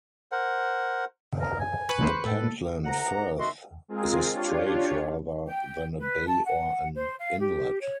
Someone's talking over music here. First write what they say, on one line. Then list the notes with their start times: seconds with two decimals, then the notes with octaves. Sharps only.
The Pentland Firth is a strait rather than a bay or an inlet.
0.32 A#4 C5 F#5
1.41 A#4
1.60 G#5
1.89 B4 C#6
2.03 C5
2.25 A2 A4
2.85 C2 F#5 A#5
3.38 F#2 D#3 F#4 D#5 E5 C6
3.88 G#3 C4 F4 G#4 A#4
4.32 D4 F4 G4 C#5
5.47 G5
6.00 B4
6.27 A5
6.45 F#5
6.95 C5
7.19 F5
7.40 G4
7.81 C#5